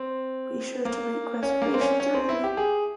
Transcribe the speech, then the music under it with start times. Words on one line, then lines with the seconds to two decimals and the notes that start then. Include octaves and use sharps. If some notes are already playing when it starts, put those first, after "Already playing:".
Be sure to make reservations early!
Already playing: C4
0.85 A#3
1.43 C#4
1.62 A#3
1.74 C4
1.81 C#4
2.00 C#4
2.14 C4
2.29 E4
2.44 G4
2.57 G#4